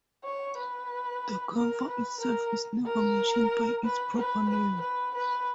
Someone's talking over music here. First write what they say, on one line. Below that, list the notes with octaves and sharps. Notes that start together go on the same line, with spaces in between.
The camphor itself is never mentioned by its proper name.
C#5
B4
A#4
B4
A#4
A#4
B4
B4
B4
B4
B4